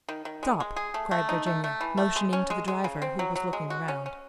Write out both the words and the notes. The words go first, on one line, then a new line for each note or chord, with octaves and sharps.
"Stop!" cried Virginia, motioning to the driver who was looking around.
D#3
D#3
G#3
G#3
G#4
A3
A3
D#4
A3
A3
E3
A3
G#3
C#4
G#3
G#3
C#3
C4
F#3
F#3
G#3
F#4
C#4
C#4